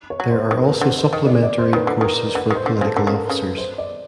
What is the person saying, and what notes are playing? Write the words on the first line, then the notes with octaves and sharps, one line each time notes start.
There are also supplementary courses for political officers.
C#5
F#3
C5
D#3 B4
A#4
B4
D3 C5
B4
C5
D#3 D#5
D5
D5
C5
D#3 B4
D3
D#3 A#4
D3 B4
D#3
C5
D3
C5
C#3
A4
D3 A#4
C#3
C#3 B4
C5
D5